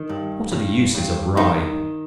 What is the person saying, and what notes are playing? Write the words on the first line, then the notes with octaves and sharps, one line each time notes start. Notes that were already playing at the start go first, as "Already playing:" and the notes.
What are the uses of Rye?
Already playing: D#3
G2
G2
G2
D#3 D#4